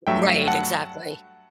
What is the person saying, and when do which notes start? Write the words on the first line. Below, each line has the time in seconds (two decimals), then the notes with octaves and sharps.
Right, exactly.
0.07 G2 F#3 A3 E5 G5
0.47 F#5 A5